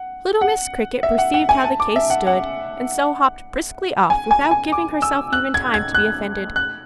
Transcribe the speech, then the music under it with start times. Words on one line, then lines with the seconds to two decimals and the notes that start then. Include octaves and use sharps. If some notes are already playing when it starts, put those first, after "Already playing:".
Little Miss Cricket perceived how the case stood, and so hopped briskly off, without giving herself even time to be offended.
Already playing: F#5
0.41 F#5
1.03 E5
1.18 F#5
1.34 F#5
1.49 G#5
1.64 A5
1.80 D6
1.96 E5
2.10 F#5
2.27 F#5
4.10 G#5
4.31 G#5
4.51 G#5
4.72 D6
5.02 E6
5.33 F#6
5.54 G#6
5.74 G#6
5.95 F#6
6.56 F#6